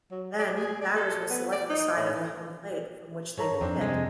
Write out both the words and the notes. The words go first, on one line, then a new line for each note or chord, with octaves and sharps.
Then, batters will select the side of home plate from which they will hit.
F#3
D5
G#4
D5
A4
B3
D5
D#4
A2
E3
G2 A4 C#5 A#5
F2 C4 D4
C2 G#3